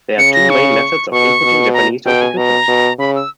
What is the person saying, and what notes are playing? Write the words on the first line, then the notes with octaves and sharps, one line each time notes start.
There are two main methods of inputting Japanese on computers.
C#3 C#7
A#6
C#6
B2 C#6
B2
A#5
B2 G5
G#5
B2 A#5
B2
C#3 B5
E6